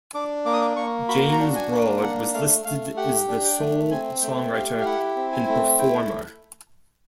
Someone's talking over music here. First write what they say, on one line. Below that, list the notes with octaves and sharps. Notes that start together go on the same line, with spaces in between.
James Broad was listed as the sole songwriter and performer.
D4 D6
A#3 D6
D#6
D6
A#3 C#6
F#4 B5
A#5
D4
G#5
A#3
D4 F#5
A3 F5
A3 F5
G4 F#5
D4
G5
A3
C4 G#5
A3 G5
G4 F5
F5
E4 F#5
C4
G#5
A3
E4 G5